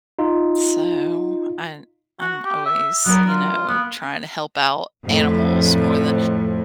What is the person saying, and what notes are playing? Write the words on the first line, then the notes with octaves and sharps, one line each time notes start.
So, I I'm always, you know, trying to help out animals more than
D#4 F4
F#4
G4
E5
F#3 B3 D4 A#4
F4
A#3 B3
F2 A2